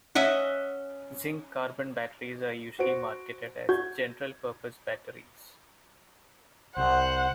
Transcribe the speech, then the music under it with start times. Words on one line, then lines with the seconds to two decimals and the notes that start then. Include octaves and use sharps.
Zinc-carbon batteries are usually marketed as "general purpose" batteries.
0.15 C#4 D#5 E5 F#5
2.79 F#4 C5 D7
3.69 F#4 G6 G#6
6.77 C2 C5 F#5